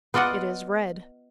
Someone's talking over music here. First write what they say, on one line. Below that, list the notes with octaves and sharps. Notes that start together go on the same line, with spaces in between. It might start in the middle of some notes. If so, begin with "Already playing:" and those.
It is red.
B3 F4 D5 D#5 F#5